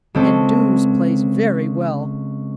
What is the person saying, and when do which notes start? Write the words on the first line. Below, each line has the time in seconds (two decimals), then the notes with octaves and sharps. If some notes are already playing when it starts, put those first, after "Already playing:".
And Doos plays very well.
0.14 C#2 C4 A4